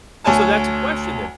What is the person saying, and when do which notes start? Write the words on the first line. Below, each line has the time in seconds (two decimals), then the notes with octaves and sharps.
Well, so that's a question then.
0.24 D2 C#5 G#5 A5